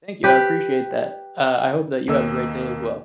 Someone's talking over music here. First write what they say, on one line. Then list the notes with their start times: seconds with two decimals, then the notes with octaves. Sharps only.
Thank you, I appreciate that. Uh, I hope that you have a great day as well.
0.24 G4 B4
2.08 D#2 A#3 D#5 E6